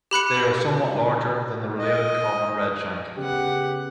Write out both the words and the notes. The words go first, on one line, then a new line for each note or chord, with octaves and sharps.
They are somewhat larger than the related common redshank.
G4 B5 F#6 C#7
D#5
C#3 B3 G4 F#5